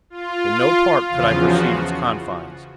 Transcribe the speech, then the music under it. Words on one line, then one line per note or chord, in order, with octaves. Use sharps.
In no part could I perceive its confines.
F4
E2 C#3 F3 F4
F#4